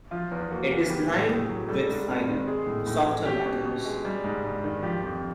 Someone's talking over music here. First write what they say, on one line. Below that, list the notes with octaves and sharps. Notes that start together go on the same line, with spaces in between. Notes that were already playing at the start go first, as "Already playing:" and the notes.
It is lined with finer, softer matter.
F3 F4
E2
A#3 F#4
C#3
B3 G4
A2
A2 G#4
F#3
G3 A4
G#2
C4
D#3
G#3 G#4
A2
A2
E3
C#4 G4
B2
B2
G#3
G3
G#2
G#2
D#3
F3 G4
F2